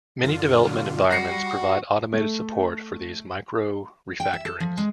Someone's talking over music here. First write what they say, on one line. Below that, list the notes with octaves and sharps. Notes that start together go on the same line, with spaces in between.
Many development environments provide automated support for these micro-refactorings.
F#2 D3 F4
B1
G3 F#4 A#6 C7 C#7
A3
G5
E5
A4
F3
G#3